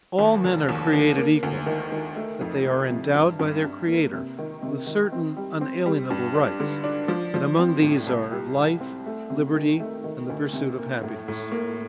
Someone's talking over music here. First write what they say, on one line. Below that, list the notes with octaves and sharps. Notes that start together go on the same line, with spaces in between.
"All men are created equal; that they are endowed by their Creator with certain unalienable rights; that among these are life, liberty and the pursuit of happiness."
D#2
F1
D#2
D#2
A#3
D2
D#3
D#3
A3
F2
C3
C3
G2
G2
G2
A#3
C3
D#3
C3
D#3
C4
G3
C4
G3
G2
D4
D3
D4
F3
F3
C4
A2
C2
G3
C2
C4
A3
C3
D#3
A3
D#3
D2
C3
A#3
A2
A2
A#3